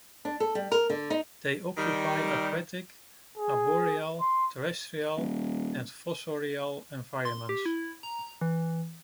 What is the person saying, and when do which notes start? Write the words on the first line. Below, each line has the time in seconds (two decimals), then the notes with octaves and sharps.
They occupy aquatic, arboreal, terrestrial and fossorial environments.
0.25 D4
0.40 A4
0.55 G3
0.72 A#4
0.90 D3
1.10 D#4
1.77 D#3 G3
3.37 G#4
4.21 C6
5.16 D#1
7.25 C6
7.49 G4
7.66 E4
8.03 A#5
8.41 E3